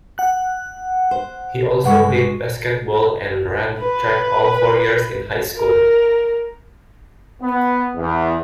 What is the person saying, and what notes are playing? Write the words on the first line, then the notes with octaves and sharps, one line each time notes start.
He also played basketball and ran track all four years in high school.
F#5 F#6
C5
G2 G#3 B4 F#5 C#6
B4
A#4
B3
E2